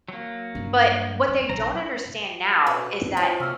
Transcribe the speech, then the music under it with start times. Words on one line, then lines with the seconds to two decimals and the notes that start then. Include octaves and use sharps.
But what they don't understand now is that
0.08 F#3 A#3
0.55 G2
1.29 E2
1.49 B1 A#5
2.67 B2 D3 F#4 B4
3.17 E3 F3 C#4 E4
3.40 C3 A#3 F4 F#4 A4 C#6 E6 F6